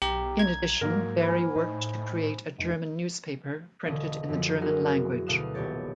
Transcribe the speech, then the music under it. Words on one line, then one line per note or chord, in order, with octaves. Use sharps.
In addition, Barry worked to create a German newspaper printed in the German language.
B1 G4 A#5
G#6
G#2 F#3 A#3 A#4
C5 G#5 B5
A2 D#4
F1
E1 D3 C#4 D#5 F5
F#2 D3 F3
E4 F#4 G#4 A#4 C5
D2 B2 F5 D#6 F#6 E7
D#1 C2 B3 G4 C#5 A6